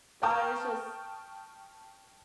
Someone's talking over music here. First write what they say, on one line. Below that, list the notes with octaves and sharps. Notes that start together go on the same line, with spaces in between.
that is just
G5 A5 C#6 D#6 F6 G6